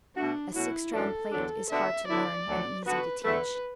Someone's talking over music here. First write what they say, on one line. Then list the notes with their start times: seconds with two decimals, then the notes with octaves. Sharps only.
A six-strand plait is hard to learn and easy to teach.
0.16 B2 A3 D4 F#4
0.55 B2 F#3 A3 E4 F#4
0.93 F#2 E3 D4 A4
1.32 E2 D3 F#3 D4
1.70 D3 B3 D4 F#4 E5
2.08 D3 B3 E4 D5
2.47 D2 D3 F#3
2.85 D3 B3 F#4 B4
3.24 E2 D3 A3 B4